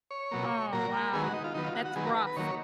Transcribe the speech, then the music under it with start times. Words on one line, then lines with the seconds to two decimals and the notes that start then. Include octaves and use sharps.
Oh, wow, that's rough.
0.11 C#5
0.31 B2 F#3 A#3
0.73 A#2 F#3 A#3 A#4
1.13 D#3 G#3 B3 G#4
1.23 F#4
1.34 D#4
1.44 F4
1.54 D#3 F#3 B3 D#4
1.64 F4
1.75 F#4
1.85 F#4
1.96 D#3 F#3 B3 G#4
2.05 A#4
2.16 B4
2.27 B4
2.36 D#3 F#3 A#3 C#5